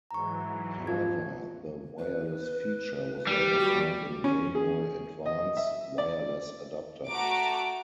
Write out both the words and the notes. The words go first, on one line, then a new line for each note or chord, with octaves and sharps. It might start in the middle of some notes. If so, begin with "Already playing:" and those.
However, the wireless feature was later found in Game Boy Advance Wireless Adapter.
G#2 E3 F#3 A#5 C#6
F3 G#6
B4
G3
F#4
C#4
G#4
D#5
E5
D5
A3 F#4 A#5 D6 D7